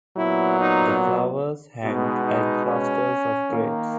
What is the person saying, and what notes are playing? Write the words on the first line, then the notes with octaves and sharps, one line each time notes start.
The flowers hang like clusters of grapes.
A#2 F#3 B3 E4
D#4
B2 G#3 B3 D#4
D#4
C#4
D#3 A#3